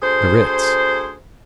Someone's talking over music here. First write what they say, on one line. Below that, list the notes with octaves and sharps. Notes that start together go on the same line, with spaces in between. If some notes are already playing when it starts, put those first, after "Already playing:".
The Ritz.
D2 G#4 C5